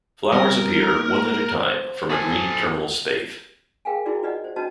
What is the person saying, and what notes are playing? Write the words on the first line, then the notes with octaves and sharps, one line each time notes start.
Flowers appear one at a time from a green terminal spathe.
G3 C4 A#4
A#3 D#4
C5
A4 G#5
G#4 A#4 F5 G5 G#5
D#4 E4 F#4 G#4 A#4 D5
F4 B4 D5 D#5 F#5
C5
C#4 D4 F#4 B4 D#5 A5